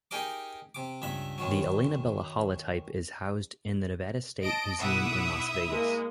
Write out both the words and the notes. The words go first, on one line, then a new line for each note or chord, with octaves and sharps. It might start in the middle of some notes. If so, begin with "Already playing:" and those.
The "Elainabella" holotype is housed in the Nevada State Museum in Las Vegas.
D#4 G4 G#4 A#4 D#5 D6
C3 D6
C#2 G2 E5 B5
F#2 D#3 F#3
D#5 A5 D7
B1 E4 E5 F#5 D6 D#6
G#3 A#3